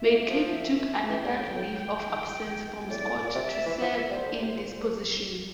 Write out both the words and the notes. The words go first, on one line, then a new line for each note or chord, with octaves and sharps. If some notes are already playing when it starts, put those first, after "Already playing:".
McCabe took another leave of absence from Scott to serve in this position.
Already playing: E5
A#3
F3
E5
E3 G5
G2
A2
A2
A2 D5
A2
A#2
C3
E5
E3
F3
G3 C5
D3
C3
A#2